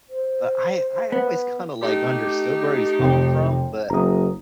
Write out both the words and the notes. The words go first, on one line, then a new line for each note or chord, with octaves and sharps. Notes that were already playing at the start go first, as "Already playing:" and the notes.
but I I always kinda, like, understood where he's coming from. But,
C5
B3
A3 D#4 G4
F1 G5
F#1 A#5 D#6